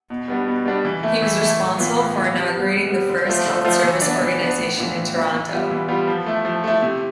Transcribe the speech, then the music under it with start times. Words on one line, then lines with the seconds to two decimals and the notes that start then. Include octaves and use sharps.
He was responsible for inaugurating the first health service organization in Toronto.
0.10 B2
0.28 G3 B3 D4
0.47 B2
0.65 G3 B3 D4
0.85 E3
1.03 A3 E4
1.22 E3
1.41 A3 E4
1.60 A2
1.78 E3 B3 F4
1.96 A2
2.15 E3 B3 F4
2.33 C3
2.53 G3 B3
2.72 C3
2.90 G3 B3
3.09 D3
3.27 F3 A3 C4 F4
3.46 D3
3.64 F3 A3 C4 F4
3.84 E3
4.02 B3 D4
4.21 E3
4.40 B3 D4
4.58 A2
4.77 E3 B3 D4 F4
4.96 A2
5.14 E3 B3 D4 F4
5.33 E3
5.52 G3 B3 F4
5.71 E3
5.88 G3 B3 F4
6.07 F3
6.26 A3 E4
6.45 F3
6.64 A3 E4
6.82 C3